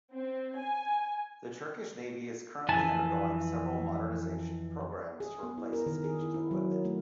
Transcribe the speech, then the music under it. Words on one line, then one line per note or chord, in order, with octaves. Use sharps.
The Turkish Navy is currently undergoing several modernisation programmes to replace its ageing equipment.
C4
G#5
F2 E3 G#5 A5
G#4
B3
E4
A#4
D#3
G#4
E4
E4
F#3
A#4
A3